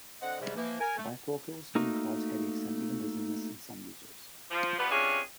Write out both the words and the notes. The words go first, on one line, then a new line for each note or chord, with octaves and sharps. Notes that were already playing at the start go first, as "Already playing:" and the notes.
Bifocals can cause headaches and even dizziness in some users.
D3 C4 D#5 F#5
G#2 C3 G3
E3 F3 A#3
A#4 G#5
A3
A3 A#3 D#4 F#4
F3
F3 G3 B3
C3 F3 C#4 D4 G#4